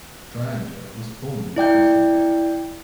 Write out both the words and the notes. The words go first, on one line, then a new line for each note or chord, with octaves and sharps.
Dryander was born in Gothenburg.
E4 D5 G5 G6